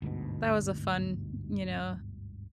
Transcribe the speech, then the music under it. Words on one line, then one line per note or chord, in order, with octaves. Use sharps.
that was a fun, you know,
G1 D2 G#2 B2